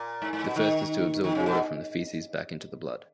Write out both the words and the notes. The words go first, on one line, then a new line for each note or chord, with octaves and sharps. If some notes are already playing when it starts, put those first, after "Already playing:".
The first is to absorb water from the feces back into the blood.
Already playing: A#2
G#2
G#2
B2
D#3
D#3
C#3
B2